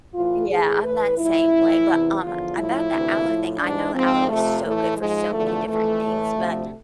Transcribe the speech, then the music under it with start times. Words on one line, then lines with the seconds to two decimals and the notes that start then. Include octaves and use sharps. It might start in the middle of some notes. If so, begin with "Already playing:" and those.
Yeah, I'm that same way, but, um, about the aloe thing, I know aloe is so good for so many different things, but
0.14 A2 E3 F4
0.49 A2 E3 G#4
0.83 A2 E3 B4
1.17 A2 F3 E4
1.53 A2 E3
1.87 E2 C3 E3
2.21 E2 D3 F3 F4
2.55 A2 F3 E4
2.90 D2 C3 E3
3.25 A2 F3
3.59 G#2 E3 D4
3.94 G#2 F3 C4
4.28 F2 C3 F3 A3
4.62 A2 E3 A3
4.97 G#2 F3 G#3
5.31 E2 D3 F3 A3
5.66 F2 E3 A3
6.01 A2 E3
6.35 D2 C3 F3